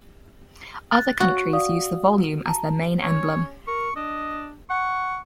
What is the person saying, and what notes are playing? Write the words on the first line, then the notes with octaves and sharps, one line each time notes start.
Other countries use the volume as their main emblem.
F#6 A6
F#4
D5 F5 D#6
A5 A#5
C#4 C#5
A#4 C#6
D4 D#5
F#5 C#6